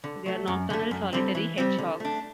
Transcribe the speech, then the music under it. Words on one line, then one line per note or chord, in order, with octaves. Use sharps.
They are nocturnal solitary hedgehogs.
D3
F#3 A3
F#2
D3 A3
F#2
D3 G3 C4
E3
G3 C4
D3
A3 D4